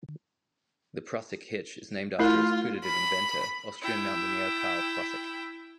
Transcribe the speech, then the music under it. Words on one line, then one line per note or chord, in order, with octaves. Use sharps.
The Prusik hitch is named after its putative inventor, Austrian mountaineer Karl Prusik.
A3 E4 F4 A#4
B5
E4 G5